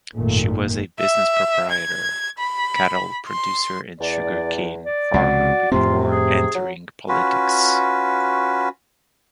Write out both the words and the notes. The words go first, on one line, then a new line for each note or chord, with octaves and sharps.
She was a business proprietor, cattle producer and sugar-cane farmer before entering politics.
G#1 F#2 A#2 D#3 A3
E5
G#6
B5
C6
E2 D5
D5
C#2 C3 F#4
F2 A2 C3 C4 F4
G#4
F#3
C#4 F4 F#4 B4